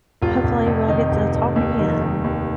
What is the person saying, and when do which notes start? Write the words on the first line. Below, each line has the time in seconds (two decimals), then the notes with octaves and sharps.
hopefully, we'll get to talk again.
0.22 F1 F4
0.44 F1
0.66 F2
0.88 D#3 D#4
1.11 F1
1.34 F1
1.56 D#2
1.79 D#3
2.02 D#3
2.24 D#2